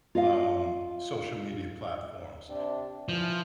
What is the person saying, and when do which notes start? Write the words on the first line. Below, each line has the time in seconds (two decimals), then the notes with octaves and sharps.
um, social media platforms.
0.15 F4 D#5 F5
2.49 C3 D4
3.09 E3 F3